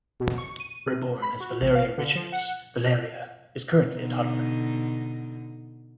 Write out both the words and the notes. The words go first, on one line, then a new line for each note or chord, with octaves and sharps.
Reborn as Valeria Richards, Valeria is currently a toddler.
B2
C#6
D#7
C3
B5
F#4
A1
F5
D3
F3
F#5
B2 D3 D#4